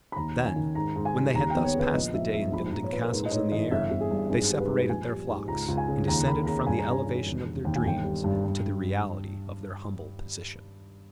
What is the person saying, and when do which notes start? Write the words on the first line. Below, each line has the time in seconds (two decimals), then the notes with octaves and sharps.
Then, when they had thus passed the day in building castles in the air, they separated their flocks, and descended from the elevation of their dreams to the reality of their humble position.
0.12 B5
0.16 D#2 A#5
0.36 C#4
0.46 G#5
0.56 D#3
0.75 G#2 A#5
0.96 G#2
1.05 G#5
1.15 G3
1.34 D#2 A#5
1.50 B3 G5
1.64 C#5
1.75 C#3 B4
1.94 A#1 D#5
2.14 A#1 E5
2.34 G#2 E5
2.52 A#1 B5
2.72 A#1 A#5
2.84 C#5
2.92 A#2 B4
3.03 A#4
3.12 G#2 B4
3.26 D#5
3.31 G#2 C#5
3.52 E3 D#5
3.71 G1 E5
3.91 G1
4.01 G#4
4.11 G2
4.30 G#1 G#4
4.50 G3
4.60 B4
4.69 G#2
4.89 A#1 G#5
5.08 G3
5.28 G#2
5.48 C#2 A#5
5.68 C#2
5.78 G#5
5.88 C#3
6.07 D#2 A#5
6.27 A#3 B5
6.47 C#3 A#5
6.66 G2 G#5
6.79 A#5
6.86 C#4 G#5
7.06 D#3
7.26 E1
7.46 E1
7.65 D#2 G5
7.76 G#5
7.85 G1 G5
8.04 G3
8.24 G2
8.44 G2